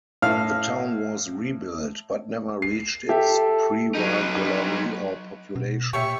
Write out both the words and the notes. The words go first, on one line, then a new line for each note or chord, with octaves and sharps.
The town was rebuilt, but never reached its prewar glory or population.
A2 F5 F6
C7
G4 A4 E5
F#3 D#4
B2
A#2 G4 C#5 E5 C#6